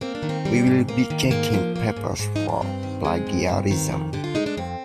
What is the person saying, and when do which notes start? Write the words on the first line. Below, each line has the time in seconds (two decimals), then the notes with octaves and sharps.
We will be checking papers for plagiarism.
0.01 A#3 C4
0.15 D4
0.23 D#3
0.29 C4
0.45 G3
0.67 G#2
0.89 A#3
1.10 D#3
1.31 G#2 A#3
1.54 F3
1.76 A#3
1.96 G#2
2.19 G#2
2.36 F3 D#4
2.49 D4
2.61 G2 C4
2.83 D#3
3.05 G#3
3.27 G2
3.49 G2
3.71 D#3
3.92 F2
4.13 D3 G4
4.24 F4
4.35 G#3 D#4
4.46 D4
4.57 F2 C4